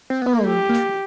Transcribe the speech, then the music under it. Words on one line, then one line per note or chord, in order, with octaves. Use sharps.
Oh, true.
C4
B3
A#3
A3 G4
A#3